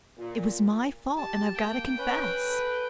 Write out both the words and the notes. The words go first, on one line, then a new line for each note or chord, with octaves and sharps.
It was my fault and I've got to confess.
A#2
G4 A5
A#3 G5
C#4 B4
A4